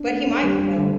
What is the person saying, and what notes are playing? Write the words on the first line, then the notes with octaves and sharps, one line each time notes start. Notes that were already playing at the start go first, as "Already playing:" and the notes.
But he might, you know.
Already playing: D4
A3
D4
G3
G3
D3